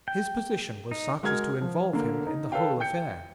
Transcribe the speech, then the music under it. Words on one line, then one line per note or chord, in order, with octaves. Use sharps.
His position was such as to involve him in the whole affair.
G5
D#4
G#3 F#4 A#4 F6 G#6
F3
D3 A#3
D#4
A4 B4 C#5 F5 G5
G5 G6 C#7